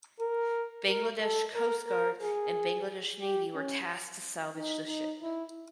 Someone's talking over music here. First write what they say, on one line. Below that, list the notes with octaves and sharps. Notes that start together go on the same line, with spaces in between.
Bangladesh Coast Guard and Bangladesh Navy were tasked to salvage the ship.
A#4
A#4
A4
A#4
A#4
G#4
G4
C#4
D#4
D#4
E4